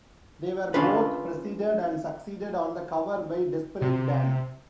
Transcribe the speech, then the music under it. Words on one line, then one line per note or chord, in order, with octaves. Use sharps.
They were both preceded and succeeded on the cover by Desperate Dan.
C#4 D4 F4 B4
C3